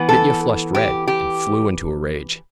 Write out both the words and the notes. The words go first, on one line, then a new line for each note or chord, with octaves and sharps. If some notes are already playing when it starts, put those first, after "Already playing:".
Mitya flushed red and flew into a rage.
Already playing: E3 B3
A4
G4
G4